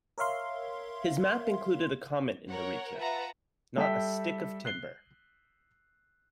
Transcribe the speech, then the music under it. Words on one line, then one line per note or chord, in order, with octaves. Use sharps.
His map included a comment in the region, "not a stick of timber".
A#4 C#5 E5 F5 C6
A#4 C#5 F#5
F4 B4 E5 F#5 A5 A#5
G3 A4 E5 G5 B6
F#6 C7 G7